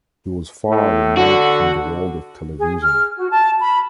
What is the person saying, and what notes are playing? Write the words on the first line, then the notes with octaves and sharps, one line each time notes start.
He was far removed from the world of television.
A2
D3 F#4
G#4
F6
F#4
A5
B5